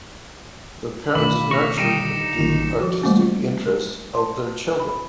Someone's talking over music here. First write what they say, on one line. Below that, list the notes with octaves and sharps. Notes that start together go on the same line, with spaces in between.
The parents nurtured the artistic interests of their children.
A1 B2 D#3 F4 B5 D6 B6
E5 F5 C#6 A#6
G2 D3 D#4 G5 A#6 C#7 E7
D#4
A1 F#2 C3 D#3
F3 F#4
E3 G3 A3 A#3 C#4
F4
A#4
A5 C6
B5